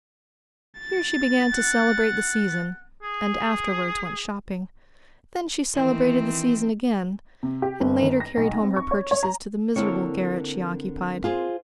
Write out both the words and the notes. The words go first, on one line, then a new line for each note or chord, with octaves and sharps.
Here she began to celebrate the season, and afterwards went shopping; then she celebrated the season again, and later carried home her purchases to the miserable garret she occupied.
A6
F#5
G#4
D#3 E3 C4
C3
G4
G1
D#3
A#6
B1
C4
C#6
C#5
C#5
A#5
D3 A#3 C4 E4 A#4 C#5
F4 G#4 C5